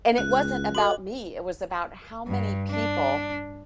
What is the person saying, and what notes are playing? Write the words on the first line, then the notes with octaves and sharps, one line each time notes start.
and it wasn't about me, it was about how many people
C#2 F#6
F#4 A4 D#5 F#7
G2
D4